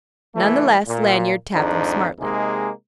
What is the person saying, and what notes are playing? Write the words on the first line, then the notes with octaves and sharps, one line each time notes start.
None the less, Lanyard tapped them smartly.
C#3 E3 A3
A#2
G#1 F2 G#2 D4 D#4
C3 G#3 A#3 D#4 G#4